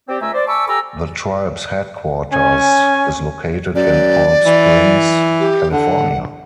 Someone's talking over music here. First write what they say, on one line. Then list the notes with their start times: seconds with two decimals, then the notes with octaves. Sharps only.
The tribe's headquarters is located in Palm Springs, California.
0.08 C4 G4 D5
0.21 C#2 A3 E5 G#5 A#5 E6
0.34 C5 D5
0.47 G#5 A5 B5 C#6 D6 E6
0.68 G4 A4 G#5 A#5 D6 E6
2.33 C#4 G#5
3.75 F#2 D5
4.46 E3
5.40 G4
5.72 D3 F#5